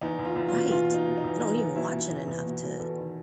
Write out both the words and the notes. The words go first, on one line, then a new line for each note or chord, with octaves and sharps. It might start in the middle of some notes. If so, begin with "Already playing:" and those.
Right. I don't even watch it enough to
E2 D#4
E2
F4
E2
B2 F4
E2 F4
B2
D#4
B2
D#4
E2
E2 D#4
E2
B2 E4
B2
E2
E2
B2
B2
E2 A4
D#3